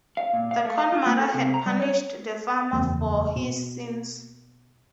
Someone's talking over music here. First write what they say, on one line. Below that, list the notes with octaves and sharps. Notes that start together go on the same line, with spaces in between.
The Corn Mother had punished the farmer for his sins.
F5
A#2
F5
A3
F5
F4
A#3
A4
C3
A#5
G3
C#5
F#1 E2 A#3
B2